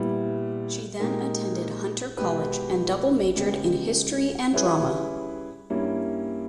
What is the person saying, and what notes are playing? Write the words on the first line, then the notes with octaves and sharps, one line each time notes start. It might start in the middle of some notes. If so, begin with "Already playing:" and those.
She then attended Hunter College and double majored in history and drama.
Already playing: A#2 G3 B3 E4
A#2 G#3 D#4 G4 A#4
B2 G#3 B3 G4 B4
C#3 G#3 B3 G4
G3 C#4 E4 G#4 B4
G2 G3 A#3 C#4 E4